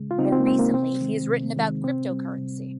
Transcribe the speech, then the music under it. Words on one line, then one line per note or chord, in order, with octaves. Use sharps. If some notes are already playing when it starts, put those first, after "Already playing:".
More recently, he has written about cryptocurrency.
Already playing: C#3 G#3
F4
C#3 C4 D#4
C4
A#3
G#3 C4
A#3
C3 C4
D#3 G#3
C3
D#3 G#3
C3 C4
G3
C3